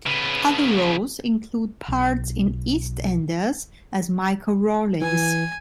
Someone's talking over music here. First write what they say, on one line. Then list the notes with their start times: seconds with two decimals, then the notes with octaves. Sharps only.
Other roles include parts in "EastEnders" as Michael Rawlins.
0.07 C#3 B3
1.88 B1
5.02 E3 G#5